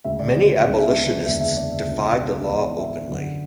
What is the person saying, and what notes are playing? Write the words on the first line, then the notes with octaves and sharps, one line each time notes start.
Many abolitionists defied the law openly.
D2 C#3 G#3 E5
D5
C#2 C#3 F#3 B3 D4 D5
E5
F#1 E2 D3 G#3 D4 E5
E5
D5
E5
C#2 B2 G#3 D4
G#1 G#2 E3 G#3 B3 D5
E5
F#2 D3 F#3